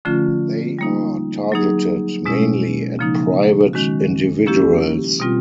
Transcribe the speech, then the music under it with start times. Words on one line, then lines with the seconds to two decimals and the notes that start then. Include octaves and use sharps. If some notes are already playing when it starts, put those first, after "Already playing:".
They are targeted mainly at private individuals.
0.05 D3 F3 A3 C#4 F4
0.79 G3 A#3 D#4
1.52 F#3 A#3 D#4 G#4
2.25 B2 G#3 C#4 E4
2.99 C#3 F3 A#3 D#4
3.73 D#3 G#3 C#4 F#4
4.46 F3 A#3 C#4 E4 G4
5.20 B2 G3 C4 F4